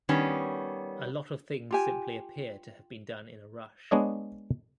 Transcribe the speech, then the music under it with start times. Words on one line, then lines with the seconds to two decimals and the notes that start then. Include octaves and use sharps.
A lot of things simply appear to have been done in a rush.
0.09 D#3 G3 B3 C#4
1.71 F4 G4 G#5
3.91 G#3 B3 D4 C#5 D#5